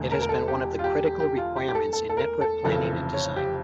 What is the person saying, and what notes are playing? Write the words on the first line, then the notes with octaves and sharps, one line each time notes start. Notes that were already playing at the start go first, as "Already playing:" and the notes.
It has been one of the critical requirements in network planning and design.
Already playing: E1 E2 D3 A3
A#4
A#4
A4
G4
F4
G4
G4
F4
G4
G4
A4
A4
A4
A#4
A4
F1 F2 C#3 E3 A4
C#5
G4